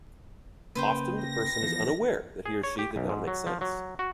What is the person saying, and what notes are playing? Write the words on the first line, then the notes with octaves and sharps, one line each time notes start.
Often, the person is unaware that he or she did not make sense.
C#3 A#3 B4 C5 G5
A#6
E3 F3 B3
G#4
C#5
G4
B1
G#2
F#3
F3
F#3
F#4